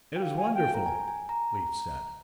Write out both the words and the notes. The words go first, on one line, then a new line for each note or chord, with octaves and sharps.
"It is wonderful," Leif said.
G5
F5
G#5
G5
A#5
G#5
G#5
A#5